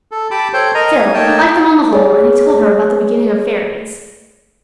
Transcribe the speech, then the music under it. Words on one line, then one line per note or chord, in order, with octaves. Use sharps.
Still, he liked them on the whole, and he told her about the beginning of fairies.
A4
G4 A5 B5 D6
A4 C5 C#5 G5
A#4 D#5 A#5
G#5
A3 A#3 D#4 C#5 G5 A5
G#4 C#5